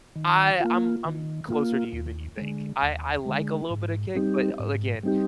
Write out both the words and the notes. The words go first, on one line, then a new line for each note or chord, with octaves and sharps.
I I'm I'm closer to you than you think, I I like a little bit of kick, but a again,
D#3
A#3 F4
D#3
A#3 F4
D#2
D3 G#3
D#2
D3 G#3
G#2
G3 C4 D#4 G4
G#2
G3 C4 D#4 G4